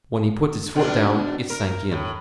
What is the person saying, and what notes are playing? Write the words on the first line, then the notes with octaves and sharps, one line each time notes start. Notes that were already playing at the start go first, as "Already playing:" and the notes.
When he put his foot down it sank in.
B2 D4
A#4
A2